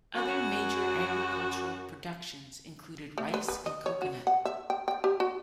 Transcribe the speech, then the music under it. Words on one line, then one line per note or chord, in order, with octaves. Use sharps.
Other major agricultural productions included rice and coconut.
F#2 F#4
A3
B4
B4
D#5
C#5
F#4
F#5
E5
G5
G5
G4
F#4